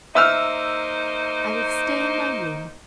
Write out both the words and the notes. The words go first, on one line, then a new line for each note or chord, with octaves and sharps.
I will stay in my room.
A#3 D#4 C5 E5 E6 F6